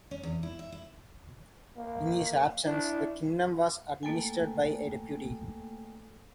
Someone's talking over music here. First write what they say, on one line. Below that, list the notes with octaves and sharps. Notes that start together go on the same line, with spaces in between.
In his absence, the kingdom was administered by a deputy.
C#4
E2
E4
E5
E4
A#3
D4 E4
A3 A#3 A4 G5 G#5